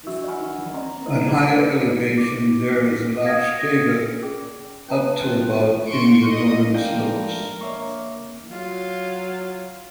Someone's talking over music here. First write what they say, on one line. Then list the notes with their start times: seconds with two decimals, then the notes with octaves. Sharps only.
At higher elevations there is larch taiga up to about in the northern slopes.
0.07 D4 F#4 E5 C#6 E6
0.27 F#5 G#5 B5 C#6 F6
0.74 D5 D#5 A#5 C6
1.06 C5 D#5 A#5 D#6
1.27 B5 D6 G#6
1.50 A#4 B4 D5 D#5 B5
2.18 D6
3.24 F5 F#5 D#6 G#6 A#6
3.58 D#6 G#6 A#6
4.22 C#4 G#4
4.88 C#4 B4 A5 A#5
5.22 C4 F4
5.87 C6 C#6 C#7 D7
6.29 D#5
6.75 F3 G#3 D4 A#4 D5 F5 G5
7.61 A#3 C#5 E5 C#6
8.51 F#3 F4